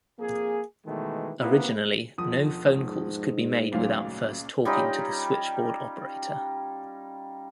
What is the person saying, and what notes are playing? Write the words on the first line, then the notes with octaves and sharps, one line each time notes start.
Originally, no phone calls could be made without first talking to the Switchboard operator.
F2 A#3 G#4
B2 D#3 E3 G#3 A3
C3 A#3 B3 E4
E1 F3 D#6
G#2
C#2 A#2 C#3 F#3 A3 F5
G3 C#4 D#4 F4